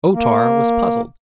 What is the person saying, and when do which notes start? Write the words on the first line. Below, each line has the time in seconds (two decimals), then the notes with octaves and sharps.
O-Tar was puzzled.
0.14 A#3